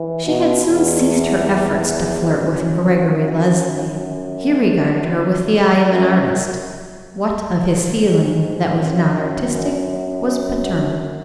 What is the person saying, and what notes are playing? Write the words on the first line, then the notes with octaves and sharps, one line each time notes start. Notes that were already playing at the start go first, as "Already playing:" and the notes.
She had soon ceased her efforts to flirt with Gregory Leslie; he regarded her with the eye of an artist--what of his feeling that was not artistic, was paternal.
Already playing: E3
B2
E2
F#2
F#2
F#2
G#2
F#2
F#2
F#2